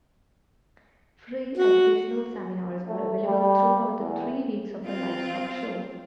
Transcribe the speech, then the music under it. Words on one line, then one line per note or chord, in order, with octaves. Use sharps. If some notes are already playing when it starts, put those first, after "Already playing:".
Free educational seminars are available throughout the three weeks of the livestock show.
F#4
A3
G3
E2
C4 F4